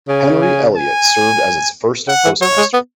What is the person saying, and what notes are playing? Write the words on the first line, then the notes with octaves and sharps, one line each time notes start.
Henry Elliott served as its first Postmaster.
C#3 G#5
G#5
G#5
C#3 F#5
E3
F#3 C#5
G#3
B3